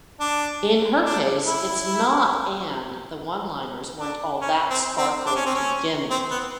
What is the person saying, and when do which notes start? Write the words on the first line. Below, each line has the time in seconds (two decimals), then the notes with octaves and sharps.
In her case, it's not-and the one-liners weren't all that sparkling to begin with.
0.20 D4
1.05 D4
1.47 E4
4.00 D4
4.41 C#4
4.70 C4
4.98 C4
5.26 D4
5.36 C#4
5.46 C4
5.55 C#4
6.10 C4
6.31 B3